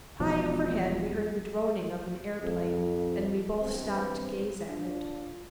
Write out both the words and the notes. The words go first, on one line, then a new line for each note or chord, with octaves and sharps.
High overhead we heard the droning of an aeroplane and we both stopped to gaze at it.
E1 B2 F3
F2
G2 E3 B3 C4
D4 F4